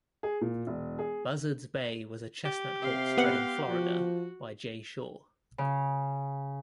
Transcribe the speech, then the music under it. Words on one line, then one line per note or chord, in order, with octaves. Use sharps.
Buzzards Bay was a chestnut horse bred in Florida by Jay Shaw.
G#4
A#2
E1
G#4
G4
C3 F5 C6
B3 F#5
F3 F#4
C#3